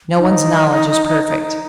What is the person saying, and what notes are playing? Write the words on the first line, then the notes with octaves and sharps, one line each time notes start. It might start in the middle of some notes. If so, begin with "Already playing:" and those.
No one's knowledge is perfect.
D#4